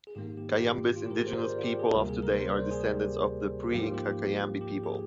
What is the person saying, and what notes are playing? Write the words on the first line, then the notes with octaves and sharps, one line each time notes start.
Cayambe's indigenous people of today are descendants of the pre-Inca Kayambi people.
G#4
G#2 D#3 A#3 G4
G4
G4
F4
F4
G4
A#4
G#4
C5
A#4
C5
D5
F4
G4
G#4
D2 C3 G3 A#3 A#4
G#4
A#4
C5
D5
C5
G#4
G4
G#2 F3 A#3 G4
F4
G4
G4
G#4